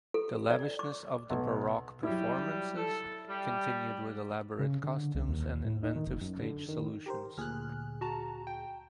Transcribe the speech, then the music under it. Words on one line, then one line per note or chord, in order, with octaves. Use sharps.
The lavishness of the Baroque performances continued with elaborate costumes and inventive stage solutions.
A4
D5
D6
B1
F#3 G3 E4
A4
G3
C#3
D3
C2
D#2
A2
D#4
D#3
F#1
F#2
D3
D#3
G4 A#4 C5
D2 A#2 G#4 F6 F#6
F#4 A5 A#5
G5